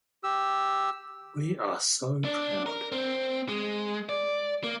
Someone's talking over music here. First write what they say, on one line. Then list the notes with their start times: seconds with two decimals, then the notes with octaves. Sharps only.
We are so proud.
0.24 G4 E6
2.25 D4
2.66 A#4
2.92 C4
3.49 G#3
4.09 D5
4.64 A#3